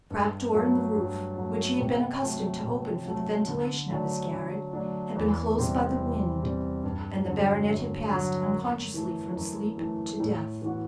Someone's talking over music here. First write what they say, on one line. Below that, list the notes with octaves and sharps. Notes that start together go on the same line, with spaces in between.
A trap-door in the roof, which he had been accustomed to open for the ventilation of his garret, had been closed by the wind, and the baronet had passed unconsciously from sleep to death.
G2
F#3 A3
G2
F#3 A3
C3
F#3 A3
C3
F#3 A3
D3
F#3 A3 D4
D3
F#3 A3 D4
E2
C3 G3 C4
E2
C3 G3 C4
G2
D3 F#3
G2
D3 F#3
F#2
E3 A3
F#2
E3 A3
A2
E3 B3 F#4